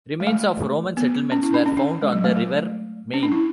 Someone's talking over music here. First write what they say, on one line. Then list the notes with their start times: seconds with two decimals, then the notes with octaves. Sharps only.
Remains of Roman settlements were found on the river Main.
0.20 G#3
0.27 A3
0.97 B3
1.32 C#4
1.43 E4
1.54 D4
1.66 C#4
1.77 D4
2.02 G#3
2.13 F#3
2.24 A3
2.36 A3
3.14 C#4
3.23 D4
3.32 E4